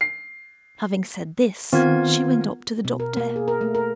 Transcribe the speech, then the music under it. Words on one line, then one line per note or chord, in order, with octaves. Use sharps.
Having said this she went up to the doctor.
C7
D#3 B3 C4 F4 A#4 G#6
B2
A#4
A#3
G#4
A#4
A3
A#4